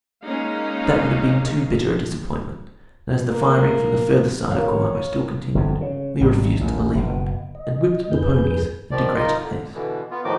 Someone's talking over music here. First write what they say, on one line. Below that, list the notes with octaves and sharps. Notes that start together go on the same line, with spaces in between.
But that would have been too bitter a disappointment, and as the firing from the further side of Coamo still continued, we refused to believe it, and whipped the ponies into greater haste.
G#3 A#3 C#4 D#4 F5
A#3
A#4 C#5 F5
G1 F2
C#3
G#1 G3
A1 D#2
F#1 B2
D#5
F2 G#4 B4 G6
D#3 F3 D5
D#4 F4 A#4 D#5
D3
B2 D3 E3
B3 F4
A2 D#3 F3 D#4 F#4 D6